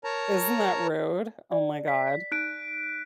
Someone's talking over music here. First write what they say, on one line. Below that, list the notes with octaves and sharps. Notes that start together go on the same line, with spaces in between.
Isn't that rude? Oh my god.
A#4 C#5 A5 A#5
D5
B6
D#4 F#6 D7